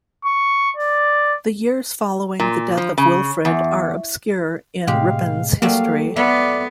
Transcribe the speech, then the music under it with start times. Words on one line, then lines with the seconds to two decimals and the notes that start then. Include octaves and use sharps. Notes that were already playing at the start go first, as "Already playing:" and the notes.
The years following the death of Wilfrid are obscure in Ripon's history.
0.25 C#6
0.76 D5
2.40 A#2
2.77 F3
2.98 C#3
3.45 E2
4.87 A2 C3 G#3 G4 F5
5.62 F#3 G3 A3 A#3 F5
6.16 A3 B3 D5 E5